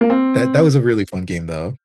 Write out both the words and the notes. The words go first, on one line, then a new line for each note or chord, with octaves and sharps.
that that was a really fun game, though.
A#3
C4